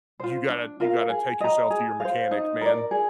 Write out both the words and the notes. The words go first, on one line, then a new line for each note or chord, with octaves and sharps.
you gotta you gotta take yourself to your mechanic, man.
F4 C5
D4
F4 A#4 F5
G#4
D#5 A#5
G#4
C5 F5
D#4
A#4 D5
G#4